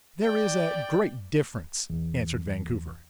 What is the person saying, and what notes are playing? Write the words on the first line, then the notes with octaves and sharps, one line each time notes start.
"There is a great difference," answered Vancouver.
D5 G5
E2